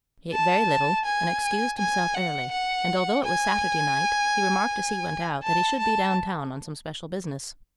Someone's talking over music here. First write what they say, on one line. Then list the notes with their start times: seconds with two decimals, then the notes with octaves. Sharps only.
He ate very little and excused himself early, and although it was Saturday night, he remarked as he went out that he should be down town on some special business.
0.33 A5
1.05 G#5
1.79 G#5
2.15 F#5
2.52 F#5
3.25 G#5
5.43 A5
5.79 A5